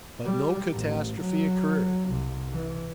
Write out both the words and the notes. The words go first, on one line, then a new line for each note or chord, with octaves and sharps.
But no catastrophe occurred.
G3
A1
F#3
C2
E3